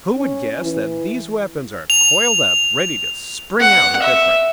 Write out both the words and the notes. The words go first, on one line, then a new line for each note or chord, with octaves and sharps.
Who would guess that these weapons are coiled up, ready to spring out at their prey?
C#4
E3
F7
F#5
E5